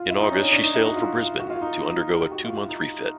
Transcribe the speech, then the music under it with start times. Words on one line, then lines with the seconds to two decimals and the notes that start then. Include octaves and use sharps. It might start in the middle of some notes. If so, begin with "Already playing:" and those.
In August, she sailed for Brisbane to undergo a two-month refit.
Already playing: F4
0.10 E4
0.20 D#4
0.32 C#4
0.41 D4
0.52 D4
0.63 D#4
0.75 E4
0.86 F#4
0.96 F4
1.18 F4
1.39 F#4
1.50 F4
1.61 D#4
2.19 G4
2.32 F#4
2.44 F4
2.57 E4
2.69 D#4